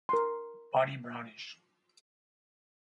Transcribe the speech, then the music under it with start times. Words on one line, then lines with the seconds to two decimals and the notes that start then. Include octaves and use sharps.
Body brownish.
0.09 A#4 C6